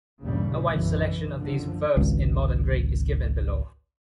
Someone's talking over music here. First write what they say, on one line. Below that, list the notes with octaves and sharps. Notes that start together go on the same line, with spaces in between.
A wide selection of these verbs in Modern Greek is given below.
G1 D#2 A#2 C#3 E3 G3
F#1 B1 E3
F#1 D3 F3
G#1 C#2